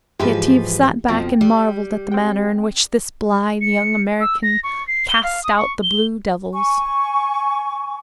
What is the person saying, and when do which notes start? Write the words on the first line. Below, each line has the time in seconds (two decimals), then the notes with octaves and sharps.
Yetive sat back and marvelled at the manner in which this blithe young American cast out the "blue devils."
0.19 G#2 E3 F3 F4 G4 B4
1.08 F2 B2 F3 G5
1.41 G3
2.12 C4 G5
3.61 C#7
4.20 E6
4.43 A#6
4.64 C#6
4.87 C7
5.08 G7
5.23 F5
5.43 D#6
5.57 C#6
5.83 G7
6.53 G#5 C#6